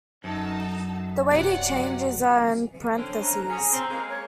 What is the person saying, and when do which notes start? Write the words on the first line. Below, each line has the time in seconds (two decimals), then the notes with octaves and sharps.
The Wadey changes are in parentheses.
0.24 F#2 D#4 A4 A5
1.31 C3 F#3 D5 F#5
2.97 D3 C4 C#4
3.23 A#5
3.48 C#4 G#4
3.73 C4
3.90 G#3 A#3
4.10 C#5